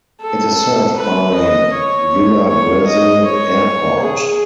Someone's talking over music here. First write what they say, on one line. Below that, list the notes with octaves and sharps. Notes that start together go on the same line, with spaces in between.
It is served by Vila Brasil Airport.
A4
B4
D#5
C#5
C#5
D#5
C#5
G#4